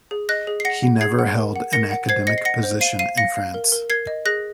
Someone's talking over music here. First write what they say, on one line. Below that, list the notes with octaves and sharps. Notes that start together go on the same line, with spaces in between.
He never held an academic position in France.
G#4
D#5 F#6 A#6
G#4
C7
F#5 A#6 C#7
F#5
G#4 G#6 C7
F#5
A#4
F#5
A#4 A#6 C#7
F#5
C5 G#6 C7
D#5 A#6 C#7
C7
F#5 A#6 C#7
C5
F5 C7 D#7
F5 C7 D#7
F5 A#6 C#7
F5
A#4
A#4
A#4 G#6 C7
D#5
G#4 F#6 A#6